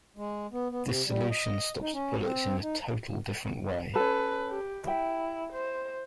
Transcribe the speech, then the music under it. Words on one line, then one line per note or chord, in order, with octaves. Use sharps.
This solution stops the bullets in a total different way.
G#3
B3
B3
C3
G3
D#5
D#4
C#4
C4
D#4
C#4 A4 B4
G4
E4 E5 G5
C5